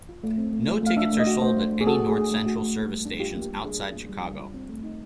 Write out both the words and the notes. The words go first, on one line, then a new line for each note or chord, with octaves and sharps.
No tickets are sold at any North Central Service stations outside Chicago.
F4
A3
C4
A3
F4
A3 F5
D4 E5
A3
D#5
F#4
A3 C5
D4
A3
G#4
F#4 A4
A3
G#4
D4
A3
F#4
A3
A#3
G3
D4
F4 G4
A#3
G4
G3
D4 G#4
F4
A#3
G3
D4
F4
C4
A3
D#4